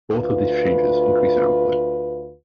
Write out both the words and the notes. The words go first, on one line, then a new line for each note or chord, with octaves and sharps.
Both of these changes increase output.
D2 F4 B4